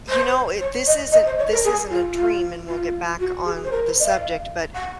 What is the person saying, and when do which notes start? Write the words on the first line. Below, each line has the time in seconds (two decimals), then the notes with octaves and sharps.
you know, it this isn't this isn't a dream, and we'll get back on the subject, but,
0.09 C5
0.60 C#5
0.86 D#5
1.12 D#5
1.25 C5
1.38 C#5
1.51 A#4
1.64 G#4
1.90 F4
2.15 F4
2.68 F4
3.19 F#4
3.45 G#4
3.64 C5
3.71 A#4
3.87 C5
3.99 D#5
4.05 F5
4.74 F#5